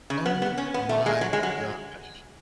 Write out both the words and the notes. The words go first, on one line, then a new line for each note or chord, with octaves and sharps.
Oh my gosh.
C#3
B3
B3
C#4
B3
A3
G#3
F#3
G#3
F#3